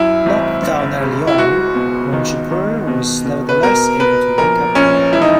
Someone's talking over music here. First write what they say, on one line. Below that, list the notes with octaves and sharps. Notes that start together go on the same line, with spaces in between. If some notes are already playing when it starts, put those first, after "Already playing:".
Knocked down early on, Monshipour was nevertheless able to make up ground.
Already playing: F#2 E4
G#1
F#1
C#3
E4
C#2 F#4
B2
D#3
D#3
B2
B2
B4
B2 A#4
B2 B4
A#1 A#4
A#1 C#4
E1 E4
D#4